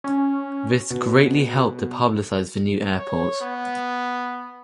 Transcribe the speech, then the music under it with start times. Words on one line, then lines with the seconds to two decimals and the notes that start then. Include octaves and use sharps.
This greatly helped to publicize the new airport.
0.04 C#4
0.90 B2
2.99 C#5
3.41 B3